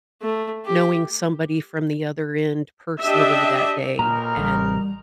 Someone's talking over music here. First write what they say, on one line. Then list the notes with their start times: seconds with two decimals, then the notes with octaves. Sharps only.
knowing somebody from the other end personally that day, and,
0.22 A3
0.65 G4
3.02 D4 G4 D#5 E5
3.99 B1 A#2 D#4 A#4 A#5
4.37 A1 G3